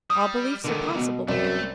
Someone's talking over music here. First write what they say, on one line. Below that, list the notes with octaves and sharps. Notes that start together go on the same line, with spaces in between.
All beliefs are possible to him.
G3 D#6
C#2 A#2 D3 D#3
B2
C2 F#2 A3 C4 D5